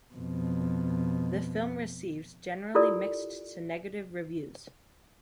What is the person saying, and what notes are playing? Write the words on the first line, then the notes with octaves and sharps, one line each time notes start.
The film received generally mixed to negative reviews.
F2 B2
E4 F4 G4 A4 A#4 D5